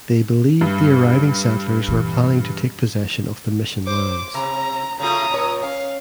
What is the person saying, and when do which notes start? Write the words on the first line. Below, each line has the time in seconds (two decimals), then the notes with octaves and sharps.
They believed the arriving settlers were planning to take possession of the mission lands.
0.61 G2
1.88 A#2 E3
3.87 C5 D6
4.34 C3 A#5
5.00 C#3 A3 F4 A#5 D#6
5.30 A#2 C#5
5.62 C#4 F5